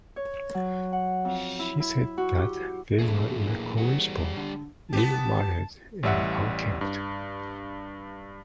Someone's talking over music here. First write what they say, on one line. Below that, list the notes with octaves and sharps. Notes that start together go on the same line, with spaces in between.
He said that they were "incorrigible, ill mannered, and unkempt".
C#5
F#3
F#5
F2
E4
E4
F#4
G4
E1 A#2 A3 G#4
E3 A#3
G3 C4 F#4 G#4 F#5
D3
B3 G4 A5
A1 G3 E5 F#5
G2